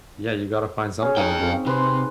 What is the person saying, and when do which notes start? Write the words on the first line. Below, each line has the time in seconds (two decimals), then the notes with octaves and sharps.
Yeah, you gotta find something to do.
1.02 C#4 G#4 C#5
1.17 D#4 F5 G5
1.42 C4
1.67 C3 B4 C5